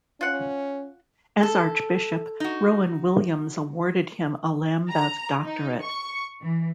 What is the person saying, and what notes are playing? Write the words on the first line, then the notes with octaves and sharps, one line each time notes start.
As archbishop, Rowan Williams awarded him a Lambeth doctorate.
C#4 F4 F#5
A4
D#4 F#4
A#5
D#4
C#6
E3